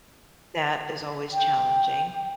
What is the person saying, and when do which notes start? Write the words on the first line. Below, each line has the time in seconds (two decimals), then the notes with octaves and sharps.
that is always challenging,
1.33 G5